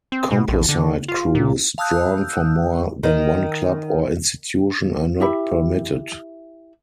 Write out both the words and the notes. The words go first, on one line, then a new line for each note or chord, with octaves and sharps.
Composite crews, drawn from more than one club or institution, are not permitted.
C4
B2
A#1
D3
F4
A#2
F5 A5 D#6 E6 F#6 G6
D#3
E4 G4 E5 B5